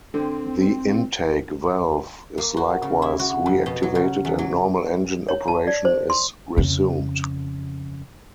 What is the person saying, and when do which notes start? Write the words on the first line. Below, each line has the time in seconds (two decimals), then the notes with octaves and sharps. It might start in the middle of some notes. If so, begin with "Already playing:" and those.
The intake valve is likewise reactivated and normal engine operation is resumed.
0.14 D3 C4
2.38 A#3
2.57 F#4
2.82 C#3
3.02 E4
3.19 F#4
3.46 F2
3.66 B2
3.83 F#3
3.95 C#3
4.25 E2
4.38 F#3
5.29 C#5
5.48 A5
5.67 D5
5.85 C5
6.10 C6
6.57 F2 C#3